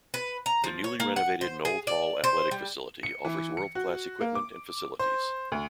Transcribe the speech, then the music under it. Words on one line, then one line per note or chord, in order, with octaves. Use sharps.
The newly renovated Nold Hall athletic facility offers world-class equipment and facilities.
B4
A#5
F3
C#5
A#3
F#5
C5
G#4
D5
C5
G3
C#7
E3
C#7
F#4
A#3
D6
C5
D2